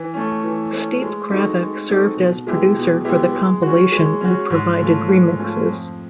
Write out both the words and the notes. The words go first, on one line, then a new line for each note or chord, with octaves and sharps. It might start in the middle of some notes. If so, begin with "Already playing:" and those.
Steve Kravac served as producer for the compilation and provided remixes.
Already playing: E3
A3 C#4
E3
A3 C#4
G#3
C4 D#4 F#4 A4
G#3
C4 D#4 F#4 A4
B2
G#3 B3 E4 G4
B2
G#3 B3 E4 G4
G#3
C#4 F#4
G#3
C#4 F#4
G#2
F3 A3 C#4
G#2
F3 A3 C#4
F2